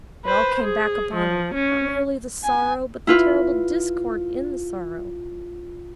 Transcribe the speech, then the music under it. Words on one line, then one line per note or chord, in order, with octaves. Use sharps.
It all came back upon her; not merely the sorrow, but the terrible discord in the sorrow.
B4 C5
G#4
F3
C#4
G#5
E4 F4 B4